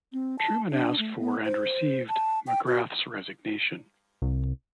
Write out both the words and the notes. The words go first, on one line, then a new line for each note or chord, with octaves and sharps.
Truman asked for and received McGrath's resignation.
C4
A5
D4
A3
B3
C5
A5
G5
F#4
C2